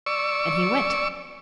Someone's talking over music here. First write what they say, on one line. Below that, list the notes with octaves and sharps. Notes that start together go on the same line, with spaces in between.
And he went.
D5 C#6 E6